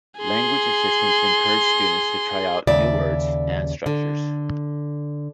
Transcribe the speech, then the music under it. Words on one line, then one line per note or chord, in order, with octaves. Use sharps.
Language assistants encourage students to try out new words and structures.
G#4 C6
D#2 C#3 D5 E5
D3